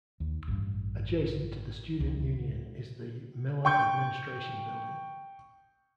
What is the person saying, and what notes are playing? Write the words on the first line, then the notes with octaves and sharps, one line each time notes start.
Adjacent to the Student Union is the Miller Administration Building.
D#2
A1 G2
C#2
G5 C#6 G6